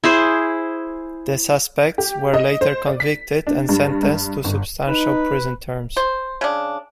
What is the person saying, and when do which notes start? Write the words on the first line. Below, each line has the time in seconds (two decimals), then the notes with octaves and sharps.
The suspects were later convicted and sentenced to substantial prison terms.
0.04 E4 G#4 C5
1.98 G4
2.34 D#5
2.61 C5
2.88 D5
3.00 B6
3.47 D4
3.69 G2
4.03 G2
4.44 G1
4.88 D#4 B4
5.97 C5
6.41 C#3 D4